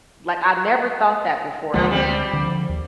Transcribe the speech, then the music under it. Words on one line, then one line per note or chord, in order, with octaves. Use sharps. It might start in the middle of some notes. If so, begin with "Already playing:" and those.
Like, I never thought that beforehand.
D2 A#2 F3 G#3
G3 C4
D3 F3
D#2